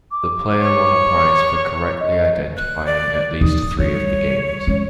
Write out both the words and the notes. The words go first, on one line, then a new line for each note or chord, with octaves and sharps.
The player won a prize for correctly identifying at least three of the games.
D6
C#5
D#5
F#6
D5
D#2 D#6
D#3 G3 C#5
G#3 C#4